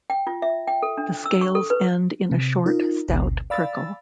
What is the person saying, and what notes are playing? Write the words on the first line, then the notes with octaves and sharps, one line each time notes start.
The scales end in a short stout prickle.
G5
F4
E5
G5
A4
D4
E6
C#6
A4
B4
C3
D#4 F4 A#4
G#1 D2 B2
D5 F5 B5 E6 A6